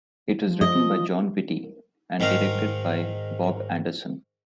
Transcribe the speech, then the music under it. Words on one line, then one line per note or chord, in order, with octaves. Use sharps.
It was written by Jon Vitti and directed by Bob Anderson.
F3
D#5
G#2 D#3 D#4 A#4 F5